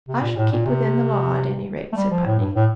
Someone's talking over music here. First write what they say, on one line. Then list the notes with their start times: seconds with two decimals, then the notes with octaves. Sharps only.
"I shall keep within the law, at any rate," said Putney.
0.08 C3
0.22 A#2
0.37 A2
0.52 A#2
0.66 C3
1.93 A3
1.97 G3
2.11 F3
2.26 A2
2.40 G2
2.55 A2